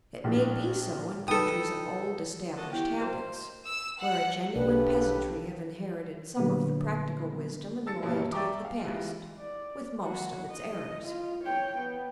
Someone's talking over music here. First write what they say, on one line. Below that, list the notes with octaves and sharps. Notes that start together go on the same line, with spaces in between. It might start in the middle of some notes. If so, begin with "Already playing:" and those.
It may be so in countries of old-established habits, where a genuine peasantry have inherited some of the practical wisdom and loyalty of the past, with most of its errors.
A#1 A2
D#4 A4 B4 G5 D#6
F#4 A4 A#4 D#5 A5
B3 E4 G4 G5
F#4 A#4 C5 D#5
E6
F#5
B1 C#3 D4 G4 A4 B4
A#2 D3 F#3 G3 A3 B3
A5 E6 A6 C#7
G2 B2 G3 A#3 C#4
D5 E5 G5 A#5 C#6 D6
F5
E3 G3 G#3 F4
D5
F#3 F#4
D#5
F4
C#5 G5
B3